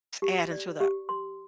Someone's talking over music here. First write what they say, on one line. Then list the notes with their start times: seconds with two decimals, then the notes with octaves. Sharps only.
adding to the
0.22 G4
0.52 D5
0.80 G4
1.09 C6